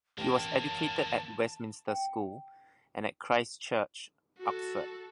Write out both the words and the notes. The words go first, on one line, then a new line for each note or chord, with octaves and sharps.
He was educated at Westminster School and at Christ Church, Oxford.
A1 E3 A#3 G5 A5
G5
F#4 A4